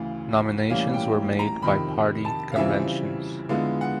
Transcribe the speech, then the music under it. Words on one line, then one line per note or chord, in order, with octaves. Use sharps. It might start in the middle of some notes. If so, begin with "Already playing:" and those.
Nominations were made by party conventions.
Already playing: D2 C#3 E3 F5
A2 E3 G3 A#3 C#4 F5
G5
A#5
F2 C3 D#3 B5
A5
F5
C#3 E3 G3 C4 F4 E5
D3 F3 G#3 B3 E4 F5
F#5